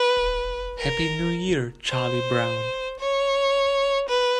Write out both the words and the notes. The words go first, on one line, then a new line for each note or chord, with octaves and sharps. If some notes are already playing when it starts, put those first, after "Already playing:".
Happy New Year, Charlie Brown!
Already playing: B4
A#4
C5
C#5
B4